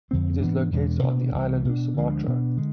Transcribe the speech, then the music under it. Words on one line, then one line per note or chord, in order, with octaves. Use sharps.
It is located on the island of Sumatra.
F2 D3 G#3 C4
G#2 E3 B3 D4
E2 B2 G#3 D4
B2 B3 D4
C2 C3 E3
B2 A3 D4
D2 D3 F3 G#3
B2 B3 D4
D3 G#3